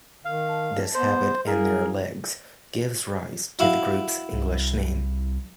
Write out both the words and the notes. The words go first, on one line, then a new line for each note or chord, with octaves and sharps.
This habit, and their legs, gives rise to the group's English name.
D#3 F5
A5
B3 C5
G3 E4 G#4 A#4 F5
E4 F#4 F5
C2